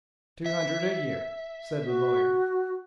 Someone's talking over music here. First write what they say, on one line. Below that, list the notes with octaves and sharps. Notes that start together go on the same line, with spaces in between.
"Two hundred a year," said the lawyer.
E5
F#4